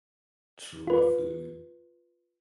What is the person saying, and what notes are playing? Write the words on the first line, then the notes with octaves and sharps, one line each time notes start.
True. I feel it
F4 B4